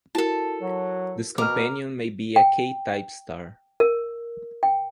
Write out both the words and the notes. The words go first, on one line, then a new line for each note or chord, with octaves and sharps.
This companion may be a K-type star.
E4 F#4 A4 A#4 A5
F#3
B2 A#4 D6 F6
G5
A#4
G5